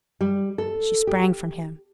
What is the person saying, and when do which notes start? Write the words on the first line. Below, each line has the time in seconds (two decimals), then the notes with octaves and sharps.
She sprang from him.
0.21 G3
0.58 A4
1.07 G4